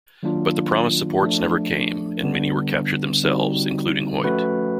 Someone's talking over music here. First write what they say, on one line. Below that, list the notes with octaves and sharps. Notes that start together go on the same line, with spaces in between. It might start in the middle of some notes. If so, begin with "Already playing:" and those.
But the promised supports never came and many were captured themselves, including Hoyt.
D#3 F#3 A#3 D4 F4
F3 A3 D4
D3 G3 B3 D4
D3 G3 C4 D#4 F#4
F3 A3 C#4 F#4 B4